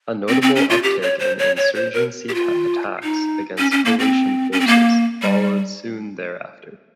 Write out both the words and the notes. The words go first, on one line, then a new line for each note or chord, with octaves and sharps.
A notable uptick in "insurgency" attacks against coalition forces followed soon thereafter.
C4
C4
C#4
F4
G4
C#5
C5
C#5
C#5
C5
A#4
G4
F4
D#4
C#4
C#4
A#3
C4
C#4
C4
A#3
G3